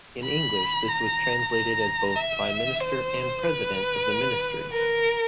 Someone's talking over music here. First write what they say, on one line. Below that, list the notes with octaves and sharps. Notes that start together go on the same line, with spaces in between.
In English this was translated as both Prime Minister and President of the Ministry.
B5
A#5
A#5
E5
C5
B4
A#4